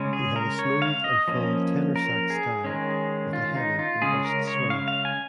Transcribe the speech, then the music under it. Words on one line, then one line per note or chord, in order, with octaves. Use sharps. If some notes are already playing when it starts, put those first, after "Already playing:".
He had a smooth and full tenor sax style with a heavy robust swing.
Already playing: C#3 G#3 C#4
G#4
A#4
C#5
F5
D#5
F3 A#3 C#4
A#4
G#4
D#3 G#3 C#4
F4
D#4
F4
C#3 G#3 C#4 G#4
A#4
C#5
F5
F5
G#5